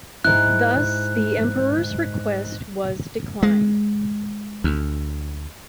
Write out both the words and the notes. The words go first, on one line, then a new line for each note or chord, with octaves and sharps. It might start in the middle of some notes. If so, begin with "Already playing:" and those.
Thus, the Emperor's request was declined.
G#2 E4 F#6
G#3
D2